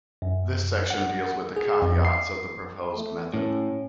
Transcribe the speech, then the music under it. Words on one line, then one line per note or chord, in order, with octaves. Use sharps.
This section deals with the caveats of the proposed method.
F#2
F#5
G#4
F2
C7
A3
A2 C#4